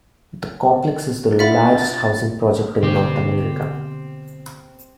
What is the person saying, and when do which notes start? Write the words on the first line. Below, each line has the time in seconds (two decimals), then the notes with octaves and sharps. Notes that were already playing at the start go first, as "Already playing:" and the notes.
The complex is the largest housing project in North America.
1.39 D4 F4 E5 F#5 B5 A6
2.83 B2 D3 A#3 C4 G4